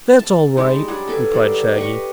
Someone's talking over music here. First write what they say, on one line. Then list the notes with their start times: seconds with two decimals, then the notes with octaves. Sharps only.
"That's all right," replied Shaggy.
0.19 A5
0.57 G3 G#3 D#4
0.88 F#3 G3 D4 G#4
1.08 A4 B4 G#5 D6
1.33 F#3 G3 D5
1.77 G4 B4 D#5 C#6